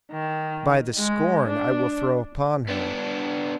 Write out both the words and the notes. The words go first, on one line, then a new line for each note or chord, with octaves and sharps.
"By the scorn I will throw upon her."
D#3
G#3
D4
B3 D4